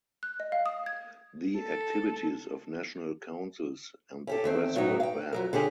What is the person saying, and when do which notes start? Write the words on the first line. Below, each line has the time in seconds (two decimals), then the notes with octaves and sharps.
The activities of national councils and the press were banned.
0.23 F#6
0.40 D#5
0.52 F5
0.66 D#6
0.86 G#6
1.57 A4
4.27 C#4 G4 A4
4.44 E2 D#3 C4
4.76 A2 F#3 B3 D#4
5.00 F5 G5
5.33 F2 F#3 A#4
5.53 D3 C#4 G4 G#4